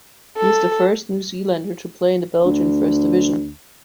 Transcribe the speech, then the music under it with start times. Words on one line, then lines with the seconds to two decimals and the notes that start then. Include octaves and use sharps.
He is the first New Zealander to play in the Belgian First Division.
0.38 A4
2.46 D2